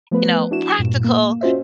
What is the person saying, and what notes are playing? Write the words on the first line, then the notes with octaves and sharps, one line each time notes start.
you know, practical,
F3 A3 B3 B4
D4 E4 F#4 E7
G2 A#2
A#3
C#4 F4 F#4 C5 D#5 E5